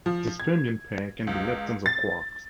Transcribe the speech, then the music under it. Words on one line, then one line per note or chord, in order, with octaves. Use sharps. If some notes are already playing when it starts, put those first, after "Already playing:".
This fermion pair can be leptons or quarks.
F3
G#6
C#2
A6